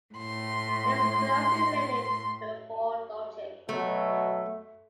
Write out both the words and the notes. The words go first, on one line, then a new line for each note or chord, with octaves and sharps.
It is closely related to Hoare logic.
A2 C6
B2 F#3 A3 E5